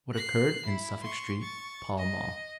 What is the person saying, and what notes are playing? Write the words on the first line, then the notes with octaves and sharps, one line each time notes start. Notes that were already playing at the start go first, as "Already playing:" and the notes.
What Occurred in Suffolk Street, Pall Mall.
F#6 C7
E4
C6 C#6
C#6 A6
D#5